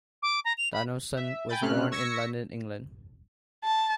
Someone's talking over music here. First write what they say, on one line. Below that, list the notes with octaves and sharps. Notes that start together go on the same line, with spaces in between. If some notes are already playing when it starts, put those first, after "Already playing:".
Donaldson was born in London, England.
D6
A#5
F7
B5
E5
G5 G#5 B5 G6 A6
C3 A3 C#4 F6 F#6
C#6 E6 G#6 A#6 B6 C#7
A5